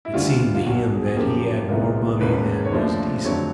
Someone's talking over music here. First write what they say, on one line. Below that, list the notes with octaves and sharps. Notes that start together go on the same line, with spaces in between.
It seemed to him that he had more money than was decent.
E4
D2 D3 G3 F4
F4
B1 B2 F#3 F#4
G#4
G#4
F#2 C#3 F3 A#3 G4
C2 C3 D#3 G#3 B3 F4
E1 D#2 D#3 G#3 C#4 B4
C#5
D#2 C#3 F3 A3 D4 C5
F2 D3 F#3 A3 C#5